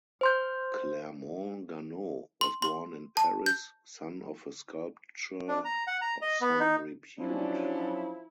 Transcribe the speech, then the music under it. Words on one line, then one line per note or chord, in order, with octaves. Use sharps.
Clermont-Ganneau was born in Paris, son of a sculptor of some repute.
C5 C6 G6
C6
C6
A5
G6
D4
A#5
F#5
A#5
D#5
B3
D#4
F3 F#3 C#4 D4 E4